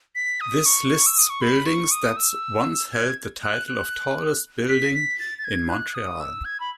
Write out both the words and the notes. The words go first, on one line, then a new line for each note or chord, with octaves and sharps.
This lists buildings that once held the title of tallest building in Montreal.
B6
D#6
C#6
E6
D#6
C#6
B5
C#6
D#6
E6
G#6
F#6
F#6
B6
B6
A6
A6
G#6
F#6
D#6
E6
G#6
B5